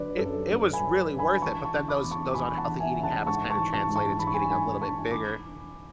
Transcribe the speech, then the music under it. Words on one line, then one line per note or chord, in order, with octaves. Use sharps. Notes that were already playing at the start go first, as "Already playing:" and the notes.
it it was really worth it, but then those those unhealthy eating habits kind of translated to getting a little bit bigger,
Already playing: D3 F#3 B4 D5
F#2 A4
F#2
G#5 B5
F#3
D3
G#5 B5
E3 A5 C#6
A5 C#6
C#3
B5 D6
E2
A5 C#6
E2 G#5 B5
F#5 A5
E3
E5 G#5
C#3
F#5 A5
G#2 A5 C#6
A5 C#6
E3
A5 C#6
G#2
A5 C#6
E3 B5
C#6
G#5 B5
G#2 G#5 B5
E3 A5 C#6
B5 D6